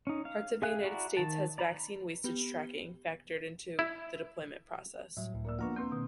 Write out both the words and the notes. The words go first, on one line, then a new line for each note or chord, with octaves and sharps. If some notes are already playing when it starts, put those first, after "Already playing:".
Parts of the United States has vaccine wastage tracking factored into the deployment process.
C#4 D#4
F5
G#4 E5 F5 G#5 F#6
E4 F#4 D5 A#5
D#3 A5
D5 A#5 B5
B3 G4 G7
E4
A2 F#3 G3 E5
C#2 A2
A#3 A#4 D5 E6
F3 A#3 B3 D4 F#5 A#5 C#6 F6
A#3 C4 B4 C6 G6
B2 D#3